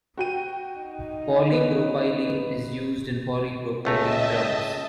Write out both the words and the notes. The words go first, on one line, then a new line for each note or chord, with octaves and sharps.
Polypropylene is used in polypropylene drums.
F#4 G5 D#7
D#4
B3 B4
C#2 A3 D#5 E5 A5 A#5